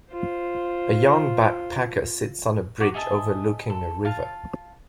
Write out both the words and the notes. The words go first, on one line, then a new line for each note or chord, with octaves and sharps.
A young backpacker sits on a bridge overlooking a river.
F4 C5
F#4 A#4 F#5 D6
G#4 D#5 E5 A5
A4
F4 F5 A5